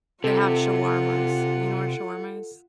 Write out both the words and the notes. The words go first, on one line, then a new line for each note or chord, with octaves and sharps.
they have shawarmas, you know what a shawarma is?
C3 F4 A4 F#5